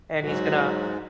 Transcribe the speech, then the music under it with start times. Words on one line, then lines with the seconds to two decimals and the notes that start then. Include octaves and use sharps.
and he's gonna
0.21 G#2 F#3 F#4